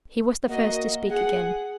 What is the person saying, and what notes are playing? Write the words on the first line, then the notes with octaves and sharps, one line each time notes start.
He was the first to speak again.
A#3 F#4 D#5
G#4 F#5